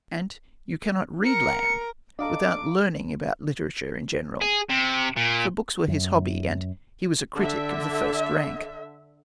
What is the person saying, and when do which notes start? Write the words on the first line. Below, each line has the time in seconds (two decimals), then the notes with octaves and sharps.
And you cannot read Lamb without learning about literature in general; for books were his hobby, and he was a critic of the first rank.
1.25 A#4 C#7
2.19 D4 A4 D#5 F5 A#5 D6
4.41 G#4
4.69 C3
5.16 A#2
5.88 F#2
7.39 D3 E5